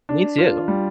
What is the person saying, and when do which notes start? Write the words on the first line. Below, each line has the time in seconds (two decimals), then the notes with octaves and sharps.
Me too.
0.09 D4
0.38 F4
0.68 G3